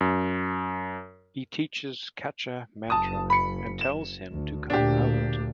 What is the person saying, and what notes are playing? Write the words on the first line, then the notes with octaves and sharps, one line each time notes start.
He teaches Kacha Mantra and tells him to come out.
F#2
F#1 A5 D#6
B5 C#7
E7
D2
D2 A#2 D4 G4